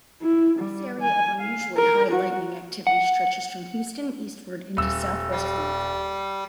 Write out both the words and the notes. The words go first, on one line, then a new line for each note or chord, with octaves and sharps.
This area of unusually high lightning activity stretches from Houston eastward into Southwest Louisiana.
E4
G3
G#5
F5
A#4
F#4
F#5
D#1 E6
G3